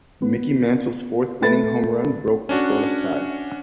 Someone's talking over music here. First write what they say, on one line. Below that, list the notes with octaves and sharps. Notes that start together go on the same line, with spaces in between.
Mickey Mantle's fourth-inning home run broke the scoreless tie.
B3
A3 B4 B5 A6
C#4 D4 F#4